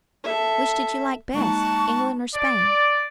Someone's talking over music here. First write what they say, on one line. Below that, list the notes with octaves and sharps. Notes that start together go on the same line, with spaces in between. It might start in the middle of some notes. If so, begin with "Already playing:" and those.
"Which did you like best--England or Spain?"
A4 E5
G#3 A#3 D#4 F#5 A5 C#6
D5